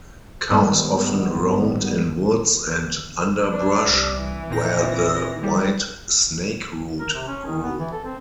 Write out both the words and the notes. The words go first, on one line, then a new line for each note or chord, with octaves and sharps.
Cows often roamed in woods and underbrush, where the white snakeroot grew.
G#2 D#3 G3 B3
D4
C2
E3
A#2 C4 A#6
G3
A#4
C3
C#4
D#3
B3
E3
A4
C4